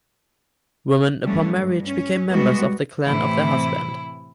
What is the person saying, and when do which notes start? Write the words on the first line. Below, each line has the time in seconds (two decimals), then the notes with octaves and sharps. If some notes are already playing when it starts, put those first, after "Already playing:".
Women upon marriage became members of the clan of their husband.
1.23 F3 G3 A3 C#4 D4
1.55 G2
1.86 C#4
2.30 G3 G#3 B3 F#4
3.05 A2 C3 E3 E4